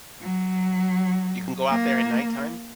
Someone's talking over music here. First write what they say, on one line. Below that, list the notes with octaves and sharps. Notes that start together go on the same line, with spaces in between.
You can go out there at nighttime.
F#3
A#3